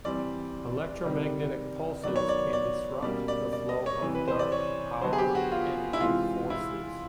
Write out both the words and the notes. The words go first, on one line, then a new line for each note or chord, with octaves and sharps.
Electromagnetic pulses can disrupt the flow of Darque Power energy forces.
E3 G3 C4 D5
C3 D#3 G3
D#3 F#3 B3 D5
C#5
D5
D5
B2 G3 A#3 C#4 D5
D5
D5
D#5
C#5
C3 E3 G3
B4
C5
D5
C#5
D3 F#3 B3 C5
G#4
G4
F#4
F4
E4
C3 E3 G#3 C4 F4
E4